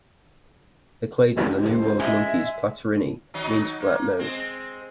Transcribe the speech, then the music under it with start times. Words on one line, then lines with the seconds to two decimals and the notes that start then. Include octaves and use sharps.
The clade for the New World monkeys, Platyrrhini, means "flat nosed".
1.43 C#2 G4
1.69 C5
2.00 G#3 E5
3.34 D#3 F#3 D#4
3.80 A#3
4.19 G#3 C4